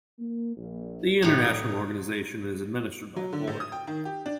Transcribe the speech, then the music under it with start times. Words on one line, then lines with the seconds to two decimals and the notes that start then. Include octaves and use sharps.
The international organization is administered by a board.
0.19 A#3
0.56 A#1
1.22 A1 A2 D#4
3.16 F#3
3.33 D3
3.47 A2
3.60 D#6
3.72 G5
3.87 D#3
4.05 G4
4.26 D4